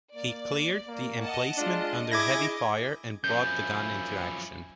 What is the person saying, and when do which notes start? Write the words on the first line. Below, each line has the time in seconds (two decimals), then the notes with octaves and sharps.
He cleared the emplacement under heavy fire and brought the gun into action.
0.15 A#3 D5
0.87 A#3
1.21 D#5 F#5 A5
1.57 G#3 D4 F4 D#5
2.12 E4 G#4 D6 G#6 A#6
3.24 F#2 F3 E5 G#5 B5 G6